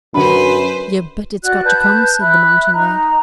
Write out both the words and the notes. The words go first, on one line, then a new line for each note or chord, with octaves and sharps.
"You bet it's got to come," said the mountain lad.
F#2 D3 D4 B4 C5 B5
F#4 D5 F#6
B4 A5 F#6 G6
E5 B5 F#6
D#4 A#5